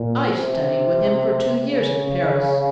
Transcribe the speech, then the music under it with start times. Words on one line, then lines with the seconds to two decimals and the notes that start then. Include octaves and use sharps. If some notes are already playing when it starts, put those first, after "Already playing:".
'I studied with him for two years in Paris.
Already playing: A#2
0.25 C3
1.66 C#3